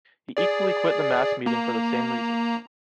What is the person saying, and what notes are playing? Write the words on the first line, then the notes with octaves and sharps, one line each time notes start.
He equally quit the mass meeting for the same reasons.
G#4 D5
A#3 A#5